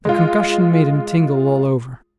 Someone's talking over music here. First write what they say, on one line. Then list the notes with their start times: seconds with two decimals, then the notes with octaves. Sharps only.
The concussion made him tingle all over.
0.05 G#3 F4